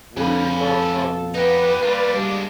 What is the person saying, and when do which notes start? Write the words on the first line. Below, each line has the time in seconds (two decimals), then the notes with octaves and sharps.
What are your thoughts on
0.17 F2 C#4 B4
0.60 A4
1.35 B3 D#4 G4 B4
1.82 G3 A#3 F4 D5
2.16 G3 G#3 D4